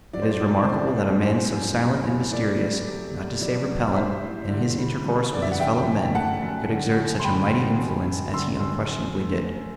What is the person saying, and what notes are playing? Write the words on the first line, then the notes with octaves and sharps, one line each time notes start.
It is remarkable that a man so silent and mysterious, not to say repellent, in his intercourse with his fellow-men could exert such a mighty influence as he unquestionably did.
F#3 D5
C5
D5
B2
C5
E2 D5
A3
F#2 C5
F#2
G3
G3
A3 D5
F#3
C3
C3
F#3 D5
F#3
F#3 C5 E5
A2
D3
G3
G3
D3 D5
E5
F#5
F#2 E5 G5
F#2
A3 F#5 A5
F#2
D3
D2
C6
D3 G5 B5
G3
F#2
F#2
D3 C6 E6
F#2
F#2
A3